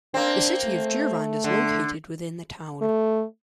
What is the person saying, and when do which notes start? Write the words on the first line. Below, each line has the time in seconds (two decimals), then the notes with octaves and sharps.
The City of Durand is located within the town.
0.14 A#3 C4 D4
0.64 A3
1.44 D3
2.81 A3